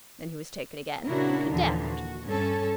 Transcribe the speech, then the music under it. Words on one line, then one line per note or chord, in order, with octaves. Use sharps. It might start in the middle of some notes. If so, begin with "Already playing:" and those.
Then he was taken again, and condemned.
A#2 C#3 D4 E4 F#4 A#4
D#2 A#2 D3 E3 F3
F#4
G2 C#4 A4